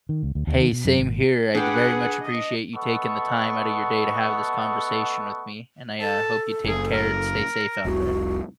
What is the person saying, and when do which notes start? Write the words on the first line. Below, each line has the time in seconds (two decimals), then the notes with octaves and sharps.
Hey, same here. I'd very much appreciate you taking the time outta your day to have this conversation with me, and I, uh, hope you take care and stay safe out there.
0.09 D#3
0.23 C#2
0.35 D2
0.47 D#2
0.61 D#3
0.72 B2
0.85 F#2
0.97 G#1
1.55 D4 G#4 B4 F#5 G5
2.23 D#5
2.75 A3 B3 A4 D#5 F#5 C#6
6.01 A4 A5
6.65 F#1 G#4
6.93 A#4
7.85 F1 C2 F#4